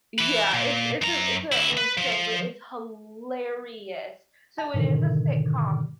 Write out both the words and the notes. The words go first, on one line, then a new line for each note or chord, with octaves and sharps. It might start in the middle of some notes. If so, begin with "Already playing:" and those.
Yeah, it's it's a it's a old show, but it's hilarious. So, it is a sitcom,
E3 B4
A#2
F#2 A#5
D2 E4
B4
F3
A5
G#2 B2 D3 D#3